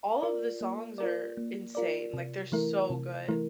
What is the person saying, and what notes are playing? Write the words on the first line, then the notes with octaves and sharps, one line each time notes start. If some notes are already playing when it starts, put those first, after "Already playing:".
all of the songs are insane, like, they're so good.
F4 A#4 D5
A#3
F4 A#4 D5
A#3
F4 A#4 D5
C3
E3 A3 E4 A#4
C3
E3 A3 E4 A#4